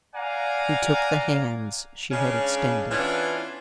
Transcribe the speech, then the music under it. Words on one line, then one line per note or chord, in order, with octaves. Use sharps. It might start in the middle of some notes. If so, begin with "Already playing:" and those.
He took the hands she had extended.
D5 F5 F#5 G#5 A#5
C#3 G#3 C#4 D4 F5
E3 B3 C#4 D4 F4